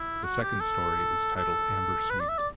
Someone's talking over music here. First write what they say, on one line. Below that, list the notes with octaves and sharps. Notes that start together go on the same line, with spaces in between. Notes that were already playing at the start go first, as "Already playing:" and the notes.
The second story is titled Amber Sweet.
Already playing: E4
F#4
G4
A4
A4
B4
D5
E5
D5